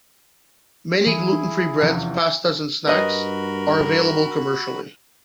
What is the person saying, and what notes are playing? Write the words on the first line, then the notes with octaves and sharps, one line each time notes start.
Many gluten-free breads, pastas, and snacks are available commercially.
E3 E4 G#4 D#7
F1 E2 C#4
G2 F#4 A#4 B4 D#5 B5